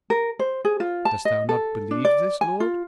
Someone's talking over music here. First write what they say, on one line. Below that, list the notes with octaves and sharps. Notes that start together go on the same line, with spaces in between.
"Dost thou not believe this, lord?"
A#4
C5
G#4
F4
A5
D#5
A4
D4
D5
G#5
F4